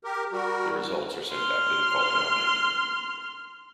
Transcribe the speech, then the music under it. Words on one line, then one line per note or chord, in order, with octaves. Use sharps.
The results are sent back to the calling object.
G4 A#4
G3 F#4 A#4
C6 F6